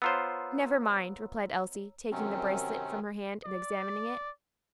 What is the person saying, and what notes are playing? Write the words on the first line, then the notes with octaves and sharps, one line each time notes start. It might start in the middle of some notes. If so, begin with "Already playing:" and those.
"Never mind," replied Elsie, taking the bracelet from her hand, and examining it.
B3 F4 C5 C#5 A#5 E6
F#2 C3 D#3 F#3 C4 C#4
D5